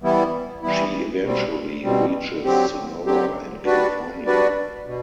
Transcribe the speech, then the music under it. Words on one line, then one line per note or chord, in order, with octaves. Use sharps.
She eventually reaches Sonora in California.
E3 G3 B3 E4
E3 G3 B3 E4
B2 G3 C4
B2 G3 C4
D3 F#3 C4 G4
D3 F#3 C4 G4
G3 D4 F#4 B4 D5
G3 D4 F#4 B4 D5
B2